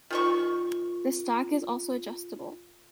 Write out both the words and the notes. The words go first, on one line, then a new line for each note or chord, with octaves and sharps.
The stock is also adjustable.
D#3 F4 G#4 A#4 C#6